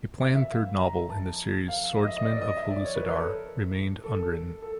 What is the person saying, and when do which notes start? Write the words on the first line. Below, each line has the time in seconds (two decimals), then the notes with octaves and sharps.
A planned third novel in the series, "Swordsmen of Pellucidar", remained unwritten.
0.21 E5
0.36 E5
0.51 F5
0.80 A#5
1.10 A5
1.68 F5
1.97 D#5
2.07 E5
2.17 D#5
2.26 D5
2.41 D#5
2.57 E5
2.70 D5
2.85 C#5
2.96 B4
3.06 A#4
3.15 A4
4.04 A4
4.18 A4
4.62 A4